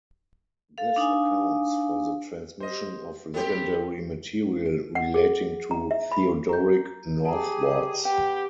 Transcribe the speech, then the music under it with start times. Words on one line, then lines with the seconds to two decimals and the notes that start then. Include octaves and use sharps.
This accounts for the transmission of legendary material relating to Theodoric northwards.
0.78 A4 F5
0.96 D4 D#4 F5 G#5
2.60 G4 C5 D#5
3.34 A3 B3 C4 G4 A4 A#4 C5 G5
4.95 F#5
5.14 G#4
5.71 A#5
5.91 E5
6.12 B5
6.49 A#5 G6
7.25 G4 G#4 A5 A#5
8.05 B3 G4 G5